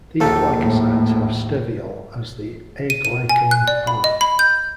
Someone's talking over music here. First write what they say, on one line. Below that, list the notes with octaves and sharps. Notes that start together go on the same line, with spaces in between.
These glycosides have steviol as the aglycone part.
A#1 D#2 A#3 D#4 A4
A2
D#7
D#7
G#5
F#6
D5
B5
D#5
B5
G6